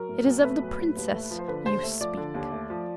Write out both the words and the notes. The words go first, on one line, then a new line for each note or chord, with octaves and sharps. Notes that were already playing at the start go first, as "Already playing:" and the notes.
"It is of the princess you speak."
Already playing: F#3 A#4
A2
B1
A3 B4
F#3
A2
D#2
A3
F3
C5
D3 B4
D#2 C5
A3
F3 D5
D3
D#2
A3
F3